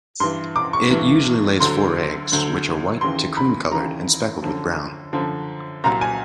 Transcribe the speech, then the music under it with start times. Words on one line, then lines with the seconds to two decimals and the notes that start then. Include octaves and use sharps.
It usually lays four eggs, which are white to cream-colored and speckled with brown.
0.20 G2 E3 C6
0.56 D6
0.73 C#6
0.91 G2 E3
1.60 D2 D3 F#3 C6
2.32 D2 D3 F#3
3.01 D#2 C#3 E3 C6
3.37 B5
3.72 D#2 C#3 E3 A#5
4.42 F#2 D3 F3
5.13 F#2 D3 F3
5.84 C2 A#2 F#3 A#5
6.01 G#5